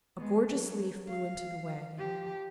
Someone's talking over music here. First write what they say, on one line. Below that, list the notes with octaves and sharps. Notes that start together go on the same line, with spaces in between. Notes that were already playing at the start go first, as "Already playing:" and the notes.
A gorgeous leaf blew into the wagon.
G#3 B3
F#3
F5
F3 G4